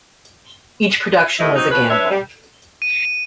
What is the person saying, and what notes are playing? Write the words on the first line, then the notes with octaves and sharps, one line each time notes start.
Each production was a gamble.
A2 C3 A3 E4 D#5
F#3 C4 D#4
B2 F3 B4
D4 B4 C#5 E5
G3
D#7